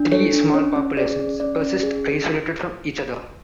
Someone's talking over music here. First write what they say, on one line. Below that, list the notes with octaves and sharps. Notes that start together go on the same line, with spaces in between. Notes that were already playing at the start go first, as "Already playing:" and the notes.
Three small populations persist isolated from each other.
Already playing: D4
A4 C#5
D4
C#4 C#5
C#4
G#4 D5
C#4
C#4 D5
C#4
G#4